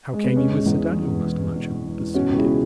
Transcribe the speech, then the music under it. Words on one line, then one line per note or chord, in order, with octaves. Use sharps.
"And how came ye with Sir Daniel, Master Matcham?" pursued Dick.
G#3
B3
E1 G#3 C#4
E1
E2
E1
E3
E1
E3
E1
E1
E1
E1
E3
B2 C#4 F#4
C#2
E4 G#4
B2